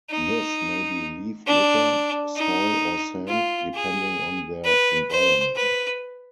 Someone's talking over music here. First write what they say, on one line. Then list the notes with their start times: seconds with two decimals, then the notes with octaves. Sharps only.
This may be leaf litter, soil or sand, depending on their environment.
0.10 D#4
1.47 D4
2.37 D#4
3.28 F4
3.74 G#4
4.64 B4
5.10 C5
5.56 B4